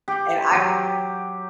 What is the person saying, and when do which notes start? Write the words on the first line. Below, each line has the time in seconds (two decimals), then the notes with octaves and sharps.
And I
0.08 G4
0.52 F#3 G4